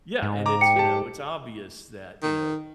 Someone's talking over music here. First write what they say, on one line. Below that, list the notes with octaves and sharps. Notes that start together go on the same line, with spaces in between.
Yeah, and it's you know, it's obvious that you know,
G#2
A#5 D6
G5 C#7
G4 A5
D#3